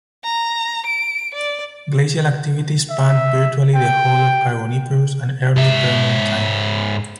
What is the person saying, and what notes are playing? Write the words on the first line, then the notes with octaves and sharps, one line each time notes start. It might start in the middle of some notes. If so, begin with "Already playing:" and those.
Glacial activity spanned virtually the whole of Carboniferous and Early Permian time.
A#5
D7
D5
E5
G5
G#2 E5